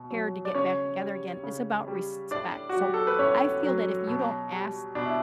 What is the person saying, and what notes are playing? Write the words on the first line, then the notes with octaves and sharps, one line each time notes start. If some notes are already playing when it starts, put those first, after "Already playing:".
cared to get back together again, it's about respect. So, I feel that if you don't ask that
Already playing: B2
F#3
D5
C#3 C#4 C#5
G3
C#3
G3
A2 D4 D5
F#4
F#3
G4
A4
B4
A2 C#4 C#5
F#3
B2
G3
B2 D4
E4